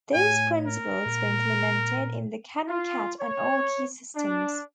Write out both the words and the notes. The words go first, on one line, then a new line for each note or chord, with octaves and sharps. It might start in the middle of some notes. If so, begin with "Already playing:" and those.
Those principles were implemented in the Canon Cat and Archy systems.
A2 C#5 G#5
A#4
A#2
F4
C#5
D4